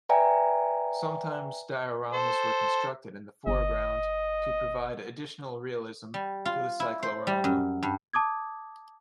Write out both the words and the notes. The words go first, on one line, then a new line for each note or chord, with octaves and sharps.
Sometimes dioramas were constructed in the foreground to provide additional realism to the cyclorama.
B4 D5 E5 G5 G#5 A#5
A4 C5
G1 D#5
G3
F4
E4
C5
G3
F#2
G2
A5 D6 D#6 G#6